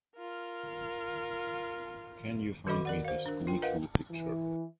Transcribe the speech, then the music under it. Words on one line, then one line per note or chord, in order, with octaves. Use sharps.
Can you find me the SchoolTool picture?
F4 A#4
D#3 F#4 A4 D#5 B5 D6
A#4 D5 F#5
C5 F5
D4 A#4
F4 G5
A#4 B4 D#5 F5 F#5
E3